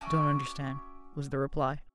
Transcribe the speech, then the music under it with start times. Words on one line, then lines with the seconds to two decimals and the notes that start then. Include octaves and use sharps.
"I don't understand," was the reply.
0.01 C#4 F#4 E5 D6